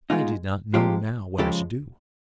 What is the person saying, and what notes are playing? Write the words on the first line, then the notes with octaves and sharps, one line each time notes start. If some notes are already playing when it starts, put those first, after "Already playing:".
I did not know now what I should do.
B2 G#3 D#4 F4
C3 F3 G#3 F4 G4
C#3 F3 G#3 G4 A4